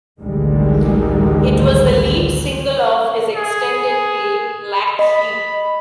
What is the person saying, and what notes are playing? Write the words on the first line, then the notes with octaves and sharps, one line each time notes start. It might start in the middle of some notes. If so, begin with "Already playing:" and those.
It was the lead single off his extended play "Black Sheep".
A1 D2 D3 D#3 G3 G#3
G#4
D#5 B5